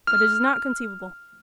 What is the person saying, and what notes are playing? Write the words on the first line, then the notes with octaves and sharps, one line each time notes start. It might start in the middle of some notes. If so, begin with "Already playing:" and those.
But it is not conceivable.
F6